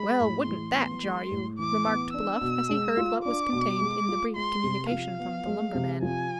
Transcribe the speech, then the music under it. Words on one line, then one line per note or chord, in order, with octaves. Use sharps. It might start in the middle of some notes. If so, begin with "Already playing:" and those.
"Well, wouldn't that jar you?" remarked Bluff, as he heard what was contained in the brief communication from the lumberman.
Already playing: G#3 B5
A2
E3 C6
B3
G#3
A2
E3 D6
B3
D4 E6
B2
G#3
F4
D4 D6
B2
G#3
F4
G#3 C6
C3
F3 F5
B3
G#3
C3
F3 G#5